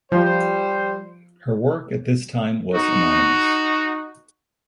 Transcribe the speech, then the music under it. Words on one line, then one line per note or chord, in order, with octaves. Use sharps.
Her work at this time was anonymous.
F3 G3 C5
D#4 F#4